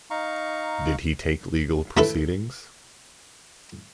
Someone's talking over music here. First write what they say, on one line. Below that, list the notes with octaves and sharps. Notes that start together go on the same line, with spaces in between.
Did he take legal proceedings?
D#4 F5 A#5 C#6
A3 E4 A4 B4